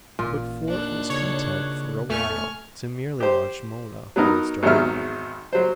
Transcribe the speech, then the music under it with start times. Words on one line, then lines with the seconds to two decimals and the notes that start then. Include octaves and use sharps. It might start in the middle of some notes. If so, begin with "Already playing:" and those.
But Fort was content for a while to merely watch Mona, who was driving.
0.19 A1 A#2 F4
0.67 D#2 D4 F#6
1.10 C#3 C#5
2.09 E2 A3 G#5 C#6 F6
3.20 G4 C5
4.16 F#3 B3 D#4 A#4
4.63 G#1 E2 D#3 F#3 E5 F6
5.53 F#3 C5